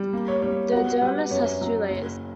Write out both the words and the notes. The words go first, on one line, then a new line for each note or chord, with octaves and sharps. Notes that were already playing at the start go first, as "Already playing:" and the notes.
The dermis has two layers.
Already playing: G3
A#3
C#5
G3 C#5
B3 F#4 F#5
G3 B4
F#2 C#5
F#3
F#1